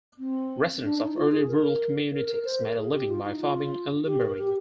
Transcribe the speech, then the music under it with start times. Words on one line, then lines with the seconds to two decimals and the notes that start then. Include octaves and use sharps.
Residents of early rural communities made a living by farming and lumbering.
0.18 C4
0.83 D4
1.00 D#4
1.16 F4
1.32 G#4
1.48 A#4
2.12 A#4
2.28 A#4
2.45 C5
2.61 A#4
2.78 G#4
2.93 G4
3.09 F4
3.25 D#4
3.41 F4
4.06 G4
4.22 A#4
4.38 G4